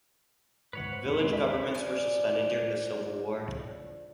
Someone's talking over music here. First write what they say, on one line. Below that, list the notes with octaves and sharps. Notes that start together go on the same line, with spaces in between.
Village governments were suspended during the Civil War.
G#2 B4 C#5 F#5
C5
A1 E2 B5
B2 G#3 C4 G4
D#2 D5 B5
F3 D4 G#5